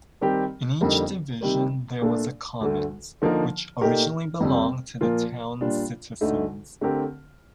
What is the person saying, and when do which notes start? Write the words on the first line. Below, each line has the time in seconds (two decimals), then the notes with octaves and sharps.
In each division there was a commons, which originally belonged to the town's citizens.
0.21 D#3 G3 C4 G4 A#4
0.81 F2 D3 G3 A#3 D#4
1.41 C3 D#3 G3 A#3
2.02 A#2 A3 D4 A4
2.61 D2 D3 A3
3.22 D3 F3 A#3 D#4 A#4
3.81 A#2 A3 D#4 G4 A#4
4.40 F2 C3 G3 C4
5.01 A#2 F3 A#3 F4
5.61 A#2 G3 D4 F4
6.21 D2 D3 A3 D#4
6.81 D3 A3 C4 G4 A#4